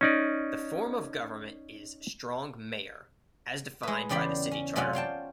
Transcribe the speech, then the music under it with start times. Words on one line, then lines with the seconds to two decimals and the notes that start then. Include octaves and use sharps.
The form of government is strong-mayor, as defined by the City Charter.
0.01 C#4 D#4 D5
3.83 G#3 B4
4.09 E2 C#3 G4 D5 B5 C6
4.51 C#4
4.76 F#2 C3 C#4 F4 D5 F#5
4.93 C#5 F5 G5 A5